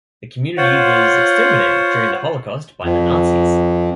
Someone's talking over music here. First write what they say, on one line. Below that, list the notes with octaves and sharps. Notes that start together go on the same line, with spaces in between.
The community was exterminated during the Holocaust by the Nazis.
F4 C5 C#5 F#5
F2